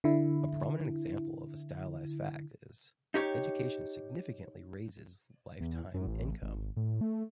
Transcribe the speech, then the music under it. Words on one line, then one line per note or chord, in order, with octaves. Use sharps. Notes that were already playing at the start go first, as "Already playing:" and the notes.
A prominent example of a stylized fact is: Education significantly raises lifetime income.
D3 E4
D#4 G4 C#5
E2
F#2
A1
G#1
A2
A3